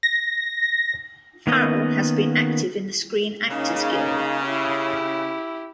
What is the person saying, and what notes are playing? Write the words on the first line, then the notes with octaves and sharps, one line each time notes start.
Farrell has been active in the Screen Actors Guild.
A#6
D#3 A#3 B3 C#4 D#5
C#3 A#3 D#4
E4 G4